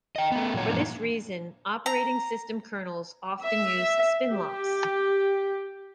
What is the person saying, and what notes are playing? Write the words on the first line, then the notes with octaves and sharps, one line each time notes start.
For this reason, operating-system kernels often use spinlocks.
D#5 G5
A3 B3
A#2 F#3 C#5
G2 A#2 E3 F3 A#3 D4
A#5
E5
G4